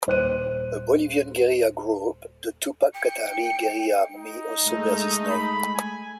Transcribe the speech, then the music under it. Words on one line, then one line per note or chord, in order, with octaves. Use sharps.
A Bolivian guerrilla group, the Tupac Katari Guerrilla Army, also bears his name.
D#1 C5 F#6 D#7
G5 C#7
D#4
G#3 A3
B5
G#5